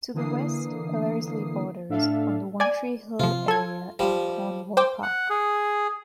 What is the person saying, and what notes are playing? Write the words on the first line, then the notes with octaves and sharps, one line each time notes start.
To the west, Ellerslie borders on the One Tree Hill area and Cornwall Park.
D3 E3 A#3 D#6 C7
A2 D4 A4 E5 F5
D5 G#5
C3 F3 F4
A4 G#6
F3 G3
C5 G5 D6
F#5
G#4